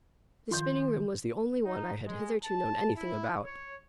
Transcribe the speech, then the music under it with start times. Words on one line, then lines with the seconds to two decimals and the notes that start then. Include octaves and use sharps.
The spinning-room was the only one I had hitherto known anything about.
0.51 D#3 F3 C6 G6
1.65 D#4
2.06 G#3
2.43 A5
2.95 E4
3.42 C#5